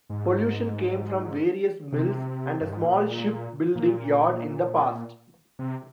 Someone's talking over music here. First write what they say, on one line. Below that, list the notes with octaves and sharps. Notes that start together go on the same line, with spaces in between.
Pollution came from various mills and a small ship building yard in the past.
G#2
C3
G2
G#2
A#2
A#2
C3